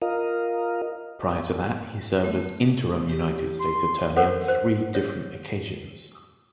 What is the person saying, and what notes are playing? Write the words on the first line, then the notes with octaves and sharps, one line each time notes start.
Prior to that, he served as interim United States Attorney on three different occasions.
F4 A#4 D#5 F5
A3
G4
C6
A4 A#4 C5 C#5 F#5
C5
C#5